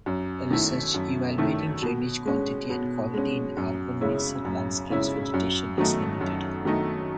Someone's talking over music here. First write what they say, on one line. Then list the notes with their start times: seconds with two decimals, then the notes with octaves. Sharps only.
Research evaluating drainage quantity and quality in urban mixed landscapes vegetation is limited.
0.06 F#2
0.50 D#3 A3 E4
0.94 F#2
1.38 D#3 A3 E4
1.82 B2
2.25 G#3 C#4
2.70 B2
3.14 G#3 C#4
3.57 F#2
4.01 C#3 G#3 C#4 E4
4.45 F#2
4.90 C#3 G#3 C#4 E4
5.34 F#2
5.78 D#3 F#3 A3 D#4
6.21 F#2
6.65 D#3 F#3 A3 D#4